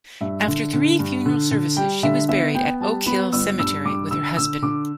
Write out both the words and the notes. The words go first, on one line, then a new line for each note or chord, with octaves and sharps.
After three funeral services, she was buried at Oak Hill Cemetery with her husband.
G2 E5
D3
D3
G2
D3
D3
G3 G5
D3 E5
B3 E5
B3 G5
G3 A5
B3 B5
G1 E6
G2 E6
G2 D6
D3 E6
D3 E6
D3 D6